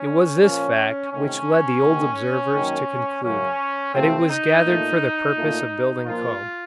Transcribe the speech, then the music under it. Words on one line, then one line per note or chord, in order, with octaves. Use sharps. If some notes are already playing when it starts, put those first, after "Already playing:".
It was this fact which led the old observers to conclude that it was gathered for the purpose of building comb.
Already playing: C#4
A#2 F3 A#3 C#4
C3 D#3 A3 C#4
C3 D#3 A#3
F#2 D#3 A#3
F#2 C#3 F#3 C#4
C3 F3 A3 C4
D#4
A#2 A3
A#2 A3
A#2 F3 A#3 F4